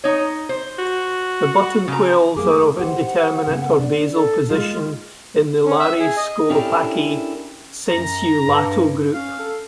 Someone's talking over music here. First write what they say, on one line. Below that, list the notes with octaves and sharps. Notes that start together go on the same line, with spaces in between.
The buttonquails are of indeterminate or basal position in the Lari-Scolopaci "sensu lato" group.
D#4 C#5
C5
F#4
C#3 A#5
A3 A#3 G#4 D6
G4 C5 F#5
C#3 A#3 B3
D4
A4
G#3 A#3 F4
C#4
E5
G#4
D#5
C#4 D4 E4 G4 A4 A#4
F#2 A#5
G2
C#4 F5
A4